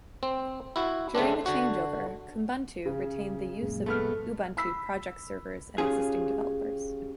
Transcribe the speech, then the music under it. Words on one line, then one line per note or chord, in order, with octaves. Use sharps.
During the changeover, Kubuntu retained the use of Ubuntu project servers and existing developers.
C4
E4 F#4
C#3 A3 C4 D4
D3 F#4
C#3
F#2 A#2 G#3
A3 B3 F6
B5 E6 B6
C#4 F4 G4 G#4